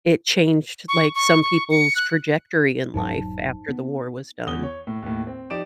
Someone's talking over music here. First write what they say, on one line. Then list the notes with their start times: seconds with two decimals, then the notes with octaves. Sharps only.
it changed, like, some people's trajectory in life after the war was done
0.88 C#6
1.15 C#6
1.42 C#6
1.71 C#7
1.96 F#6
2.94 E1 G#2 F#3 D#4 C5 A5
3.68 B3
4.47 E2 D#6 G7
4.63 C#5
4.87 A2
5.02 D#2 A2
5.27 C4
5.50 F3 D#4 G4 D5 D7 E7